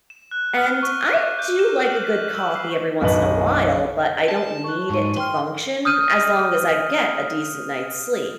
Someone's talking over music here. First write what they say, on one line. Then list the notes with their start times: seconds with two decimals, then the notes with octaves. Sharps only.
and, I do like a good coffee every once in a while, but I don't need it to function, as long as I get a decent night's sleep.
0.10 E7
0.31 F#6
0.57 F6
0.83 C#6
1.07 D6
1.39 G6
1.59 E7
1.83 F#7
2.05 B6
2.34 E6
2.56 C7
3.01 B1 F#2 D#3 B4 D#5 F#7
4.29 A5
4.64 C#6 F#6
4.90 G#2 D#4 C#6 D#7
5.17 G5 C6 F6
5.85 D#6 F6 G6 D#7